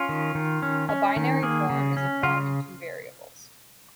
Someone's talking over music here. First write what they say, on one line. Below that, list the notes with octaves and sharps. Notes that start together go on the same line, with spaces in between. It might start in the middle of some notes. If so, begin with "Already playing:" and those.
A binary form is a form in two variables.
Already playing: C#4 F4
D#3
D#3
C#4
C#4
D#3
A#3 G#4
C#3
C#4
C#3 F4